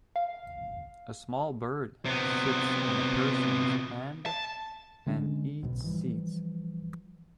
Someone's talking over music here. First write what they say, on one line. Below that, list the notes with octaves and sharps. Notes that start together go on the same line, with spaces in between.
A small bird sits in a person 's hand and eats seeds.
F5
C3 B3
A5
D3 G#3 C#4 D4
B1 G#2 B2
E3 F3 G3